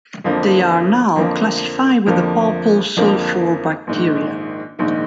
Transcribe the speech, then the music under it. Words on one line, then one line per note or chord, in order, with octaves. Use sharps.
They are now classified with the purple sulfur bacteria.
F2 D3 F3 A#3
F2 D3 F3 A#3
F2 D3 F3 A#3
F2 D3 F3 A#3
A#1 G#2 D#3
A#1 G#2 D#3